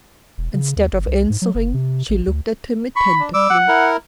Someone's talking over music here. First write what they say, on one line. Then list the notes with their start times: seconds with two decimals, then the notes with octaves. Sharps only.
Instead of answering, she looked at him attentively.
0.38 E1
0.54 C#3
0.76 D#2
0.92 G1
1.07 C2
1.30 G#2
1.42 F#3
1.55 F#1
1.74 C3
2.09 A1
2.27 D2
2.96 B5 C#6
3.19 D4
3.34 G3 D6 E6
3.50 F#5
3.68 E4 A#4